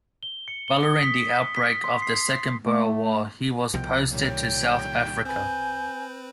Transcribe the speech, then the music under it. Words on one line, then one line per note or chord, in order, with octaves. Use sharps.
Following the outbreak of the Second Boer War he was posted to South Africa.
G7
C#7
G7
D#6
B6
B6
C6
C7
A3
C2 B2 F3 G5
A#2 D#3 G3 C#5 G5
C4 B4 G#5 G6